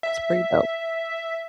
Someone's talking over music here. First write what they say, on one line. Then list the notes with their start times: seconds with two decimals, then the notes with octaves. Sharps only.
It's pretty dope.
0.03 E5